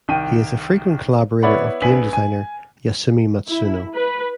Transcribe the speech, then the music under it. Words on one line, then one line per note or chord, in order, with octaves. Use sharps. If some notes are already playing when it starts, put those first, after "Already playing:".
He is a frequent collaborator of game designer Yasumi Matsuno.
C2 D#3 G5 D#7
B3 E4 C#5 D5 F#5 B5
A#1 B3 G#5 B6 F#7
G#5
E4
B4